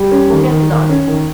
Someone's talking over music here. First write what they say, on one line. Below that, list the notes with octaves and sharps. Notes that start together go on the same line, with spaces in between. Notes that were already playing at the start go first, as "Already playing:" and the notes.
We'll get the dogs.
Already playing: G3
C#4
D#3
D#3
D#3
C#4
D#3